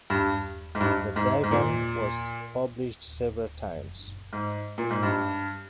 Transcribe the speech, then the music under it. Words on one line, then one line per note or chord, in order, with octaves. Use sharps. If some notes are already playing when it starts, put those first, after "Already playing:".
The Divan was published several times.
G2
G#2
G2
G#2
G#2
A#2
G#2
A#2
G#2
G2